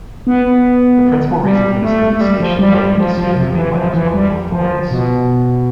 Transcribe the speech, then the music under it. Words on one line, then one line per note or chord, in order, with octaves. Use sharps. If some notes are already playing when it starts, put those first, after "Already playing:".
The principal reason for this infestation lay in decisions made by the colonial authorities.
B3
G3
A3
A3
G3
F3
G3
F3
G3
F3
F3
C3
E3
F3
E3
G3
F3
B2